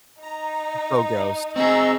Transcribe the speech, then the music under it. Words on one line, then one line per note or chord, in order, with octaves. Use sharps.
So gross.
D#4 A#5
C4 G#4 D#5 A#5 C#6 E6